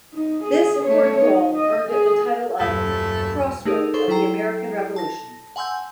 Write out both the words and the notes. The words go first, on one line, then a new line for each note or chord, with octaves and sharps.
This important role earned it the title of "Crossroads of the American Revolution".
D#4
G#4
A3 C#5
D#4
D#5
G#4
D#1 F#2 A3
A3 D#4 G4 G#4 A#4
A4 C5 C6 C#6
F#3 E4 A4 G5 A#5 C7
A5 A#6
F#5 G#5 C6 E6 G6